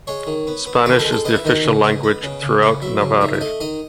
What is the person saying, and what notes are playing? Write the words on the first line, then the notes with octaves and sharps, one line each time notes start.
Spanish is the official language throughout Navarre.
G#3 C#5
D#3
B3
B3
D#3 B4
A4
G#3
A4
B3 D#5
E5
D#3 D#5
C#3
B3
B3
C#3
C#3
B3
F#3 E5
C#3
D#3 E5
E5
A3 D#5
D#3 D#5